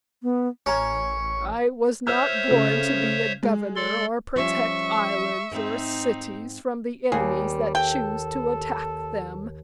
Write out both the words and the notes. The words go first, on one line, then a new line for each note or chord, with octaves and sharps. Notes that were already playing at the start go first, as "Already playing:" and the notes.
I was not born to be a governor or protect islands or cities from the enemies that choose to attack them.
B3
A1 C#4 A#4 C#5 A#5 C#6
C5 C#5 E5 E6 F6 G6
C#3 A3
G#3
A4 D5 C6
F3 G3 C#4 E5 C#6
G#2 C4 D#4
D#2 G3 G#4
A4 G5